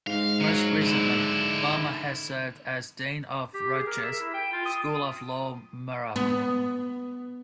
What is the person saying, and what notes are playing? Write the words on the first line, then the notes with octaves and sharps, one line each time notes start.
Most recently, Farmer has served as Dean of Rutgers School of Law-Newark.
G#2 F5
F#3
D3 E4
G4
G#4
A#4
E5
E4
G5
F4
D#6
B3